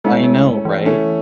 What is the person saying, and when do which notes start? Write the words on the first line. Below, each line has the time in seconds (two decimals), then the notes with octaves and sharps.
I know, right?
0.04 G#3 A3 C#4 E4 A4
0.24 G#3
0.65 E3
0.85 A3 C#4 E4 A4